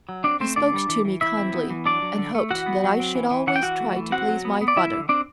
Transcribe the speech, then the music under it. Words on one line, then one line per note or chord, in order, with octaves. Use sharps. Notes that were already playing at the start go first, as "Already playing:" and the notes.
He spoke to me kindly, and hoped that I should always try to please my father.
F#3
C4 D4 D5
A3 C4 C5
D3 D4 D5
G3
E3
E3
E3 E4 E5
C4
B3
E3
F#3 D4 D5
F#3
D3
A3
E3 F#4 F#5
B3
F#3
C4
E3
E3
E3 F#5
G5
E3 F#4 F#5
A3
E3
C4 F#4 F#5
F#3
B3
B3
D5
D3 E4 E5
D3
C4 D4 D5